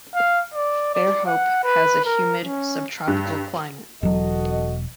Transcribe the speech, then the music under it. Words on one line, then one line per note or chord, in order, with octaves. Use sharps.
Fairhope has a humid subtropical climate.
F5
D5
D5
F#5
B4
A#4
C#4
G2
E1 F#3 F#4 A4 D#5